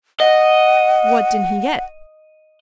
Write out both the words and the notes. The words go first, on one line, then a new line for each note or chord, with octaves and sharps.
"What did he get?"
D#5 F#5